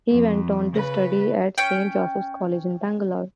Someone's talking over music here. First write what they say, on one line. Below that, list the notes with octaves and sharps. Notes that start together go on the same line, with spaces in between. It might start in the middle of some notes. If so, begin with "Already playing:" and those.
He went on to study at Saint Joseph's college in Bangalore.
F2
C#3 B4
C#4 G5